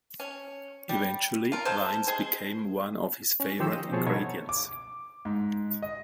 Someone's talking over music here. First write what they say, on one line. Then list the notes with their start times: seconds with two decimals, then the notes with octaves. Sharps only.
Eventually, wines became one of his favorite ingredients.
0.20 C#4
0.89 G3
1.52 F4 A#4
1.65 G#3 A4 C5
2.07 G#4 C5
3.40 C#4
3.59 D#3 F3 G4 C5 C#5 E6
3.72 D#5
3.92 B2 F3 G#4 C5 C#5 A5
4.06 B2 B3 D#4 A4 C#5 G#6
4.49 D6
5.25 G#2
5.82 D#5